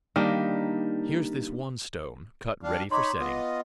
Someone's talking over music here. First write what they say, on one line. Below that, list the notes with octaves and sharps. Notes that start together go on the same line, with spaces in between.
Here's this one stone, cut ready for setting.
D#3 G3 A#3 D4 D#4
G3 D4 F5
D#4 C#5 B5 C6 D6
B3 F4 D#5